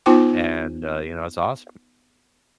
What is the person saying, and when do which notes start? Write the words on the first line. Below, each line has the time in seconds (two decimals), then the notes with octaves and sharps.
And, uh, you know, it's awesome.
0.06 B3 D#4 F4 C5 G5 D6